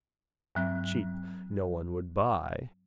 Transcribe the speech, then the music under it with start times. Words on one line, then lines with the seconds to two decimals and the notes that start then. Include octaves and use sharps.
Cheap no-one would buy.
0.55 G2 F#3 C4